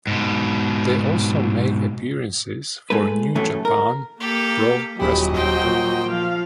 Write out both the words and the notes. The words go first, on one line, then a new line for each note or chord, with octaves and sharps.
They also make appearances for New Japan Pro Wrestling.
G#2 B2
G#3 A3 B4
A2 C#3 E3 F#3 A3
A#4
A#3 G4 A4
D#1 F#3 E4 G4 D#5
C5 G5
A#2
F3 F5